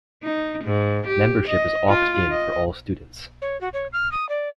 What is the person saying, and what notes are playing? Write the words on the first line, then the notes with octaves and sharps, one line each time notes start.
Membership is opt-in for all students.
D#4
G#2
G4
D#5
F4
D#5
C#5
F#4
C#5
F6
D#6
D5